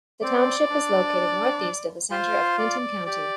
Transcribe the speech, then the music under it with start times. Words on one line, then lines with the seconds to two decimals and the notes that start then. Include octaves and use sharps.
The township is located northeast of the center of Clinton County.
0.22 C4 D5
0.70 D4
2.11 F4 C5
2.59 D5
3.06 G4 D5